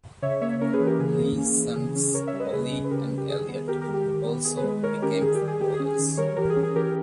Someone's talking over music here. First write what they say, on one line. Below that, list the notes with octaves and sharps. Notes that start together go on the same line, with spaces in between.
Lee's sons, Olly and Elliot, also became footballers.
C#3 C#5 E5
A#3 C#5 E5
C#4 A#4 C#5
G#4 B4
E3
G4 A#4
C#3 G#4
A#3
C#4
E3
C#3 G#4
C#4
C#3 A#4 C#5
C#5 E5
G3
B4 D#5
C#3 G#4 B4
C#4
B4
C#3 G4 A#4
G3
G4
D#3 G#4
B3
D#3 G4 A#4
G4 A#4
G#3
G4
D#3
B3
D#3 G#4
G#4 B4
G#3
D#3 A#4 C#5
C#4 G4 A#4
D#3 G#4
G4
G3
G#4
D#3 G4
G#4
C#4
G#4
D#3
G3 A#4 C#5
E3 G4 A#4
G#4
C#4
G#4
E3 G4 A#4